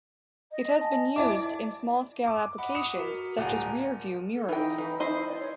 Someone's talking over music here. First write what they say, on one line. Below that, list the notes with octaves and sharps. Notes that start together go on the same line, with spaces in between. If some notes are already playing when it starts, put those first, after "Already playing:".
It has been used in small-scale applications such as rear-view mirrors.
D#5
G#5 A5
E4 D5 E5 A5 D6
D6
D#5 F#5 B5 D6
D#6 C#7 F7
F#4 A#4
D1 F4 D5 F#5 G#5 A#5
A4
E3 D#4 G5
E3
E4 C5 D#5
D5
C#5